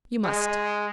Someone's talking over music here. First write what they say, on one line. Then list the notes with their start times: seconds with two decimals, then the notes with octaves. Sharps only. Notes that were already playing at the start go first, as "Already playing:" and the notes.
You must.
0.25 G#3